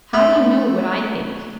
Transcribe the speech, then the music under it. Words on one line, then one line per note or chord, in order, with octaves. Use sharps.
'How do you know what I think?'
A3